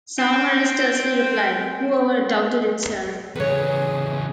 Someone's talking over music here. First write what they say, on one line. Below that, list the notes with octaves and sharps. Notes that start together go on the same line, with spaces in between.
Saumarez tersely replied Whoever doubted it, sir?
C4 G5
E2 C#3 G#4 B4 C#5